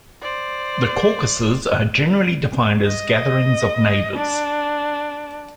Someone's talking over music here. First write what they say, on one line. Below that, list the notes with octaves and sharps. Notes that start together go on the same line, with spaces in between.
The caucuses are generally defined as gatherings of neighbors.
C5 D5
D#5
D4